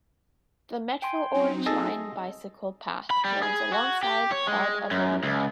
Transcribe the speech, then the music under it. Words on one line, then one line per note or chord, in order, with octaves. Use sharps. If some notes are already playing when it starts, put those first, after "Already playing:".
The Metro Orange Line bicycle path runs alongside part of the route.
G5 G#5 C6
F#3 C4 D#4
G#4 A4 D#5
B5
G3
G#4
F#4
G4
C#5
G#3
F#2
C#2